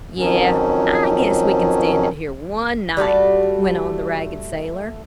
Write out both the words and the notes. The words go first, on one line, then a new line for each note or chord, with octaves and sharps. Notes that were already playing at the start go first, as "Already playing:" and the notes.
"Yes, I guess we can stand it here one night," went on the ragged sailor.
F2 D#3 F3 F#3 C#4
G3 A3 F#4 A5